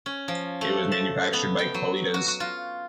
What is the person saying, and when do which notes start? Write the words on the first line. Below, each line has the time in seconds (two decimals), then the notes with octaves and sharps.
It was manufactured by Qualitas.
0.06 C#4
0.28 F3
0.61 A3
0.92 A5
1.33 B3
1.59 G5
1.74 F#3
2.14 F#4
2.28 F#4
2.40 F4